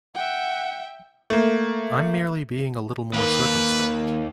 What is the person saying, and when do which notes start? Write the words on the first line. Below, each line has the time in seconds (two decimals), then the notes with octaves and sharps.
I'm merely being a little more circumspect.
0.14 E5 F#5 G5
1.30 A3 A#3
3.14 D#2 A#3 B4